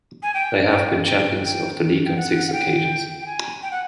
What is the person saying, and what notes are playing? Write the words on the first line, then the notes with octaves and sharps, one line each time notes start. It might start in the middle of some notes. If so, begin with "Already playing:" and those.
They have been champions of the league on six occasions.
G#5
G5
G5
G5
G5
G5
F#5
F#5
G5
G5
G#5
G5
F#5